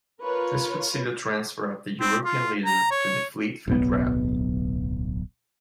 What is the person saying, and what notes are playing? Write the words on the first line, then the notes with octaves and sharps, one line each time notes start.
This would see the transfer of the "European Leader" to the Fleetwood route.
F4 A#4 B4 C#5
C4
F4
A#5
C#5
D1 B1 B3